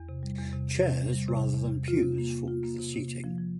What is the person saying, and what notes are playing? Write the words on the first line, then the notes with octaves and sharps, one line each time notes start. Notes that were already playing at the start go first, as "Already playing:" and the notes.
Chairs rather than pews formed the seating.
Already playing: E2
C3
G3
E2
C3
E2
C3
E2
G3
C3
E2
E2
E2
F4
C3
A#3
C3
F4
A#3
C3
C3
A#3
F3
F3